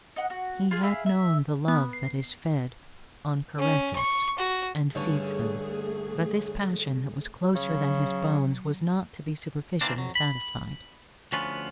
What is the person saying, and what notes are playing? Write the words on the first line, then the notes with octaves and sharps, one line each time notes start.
He had known the love that is fed on caresses and feeds them; but this passion that was closer than his bones was not to be superficially satisfied.
D#4 F#5
F#4
F4 G#4
E4 G#4 F5
E5
B3
C7
C#4
C#6
F#4
G2 D3 A3 C#4 G#4
C#3 F#3
D#3 E3 F#3 A#3 C4 D4
F2 F#3
B5
D2 F3 B3 C#4 F4 B4